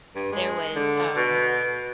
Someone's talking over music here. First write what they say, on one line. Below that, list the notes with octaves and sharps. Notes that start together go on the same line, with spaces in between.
there was, um,
G2
G#3
D3
B2